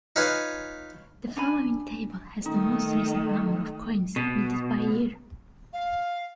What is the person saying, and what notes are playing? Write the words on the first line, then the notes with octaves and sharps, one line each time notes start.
The following table has the most recent numbers of coins minted by year.
D#4 F4 B4 C#5 G#5 C6
D4 G#5 B5
D#3 A3 D#4
B2
F5